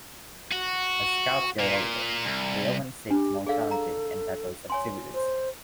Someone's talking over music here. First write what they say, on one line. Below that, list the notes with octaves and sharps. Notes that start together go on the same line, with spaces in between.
As Scouts get older, they often seek more challenging and diverse activities.
F#4
A#2
C2
D4 G4
G#4 A4 D5 F5
A#5
C#5 G#5 C6
C5